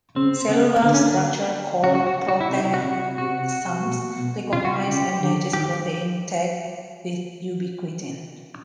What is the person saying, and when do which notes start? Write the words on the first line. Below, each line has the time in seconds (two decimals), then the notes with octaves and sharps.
Cellular structures called proteasomes recognize and digest proteins tagged with ubiquitin.
0.16 C#3 C4
0.49 C#3 B3
0.82 D3 A#3
0.94 C#4
1.06 D4
1.84 C#3 F#4
1.95 F#4
2.07 F#4
2.28 F#4
2.41 E4
2.51 C3 D#4
2.74 F#4
2.84 C3 F#4
3.18 C3 F#4
3.86 B2
4.19 B2
4.53 C3 F4
4.65 F#4
4.76 G4
4.87 C#3
5.20 D3
5.53 D#3 G4